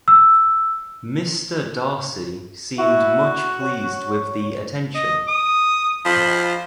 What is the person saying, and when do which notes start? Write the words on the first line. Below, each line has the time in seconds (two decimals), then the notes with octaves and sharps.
Mr. Darcy seemed much pleased with the attention.
0.08 E6
2.79 E4 F#4
3.62 C#5
4.95 D#5
5.28 D#6
6.05 F3 B5